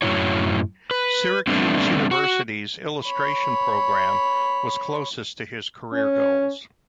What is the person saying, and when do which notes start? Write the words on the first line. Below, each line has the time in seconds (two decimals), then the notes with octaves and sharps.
Syracuse University's Illustration program was closest to his career goals.
0.02 F#2 A2 D#3 F#3 E4 C#5
0.91 B4
1.47 G3 A3 B3 C4 D4
2.11 F#4
3.05 C#5 B5
5.93 C#4